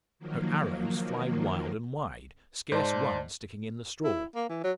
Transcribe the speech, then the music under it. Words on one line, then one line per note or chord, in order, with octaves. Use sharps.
Her arrows fly wild and wide, scarce one sticking in the straw.
D#3 F3 F#3 A#3
G#2 C5 D5 A5
E4
A#3
E3
F#3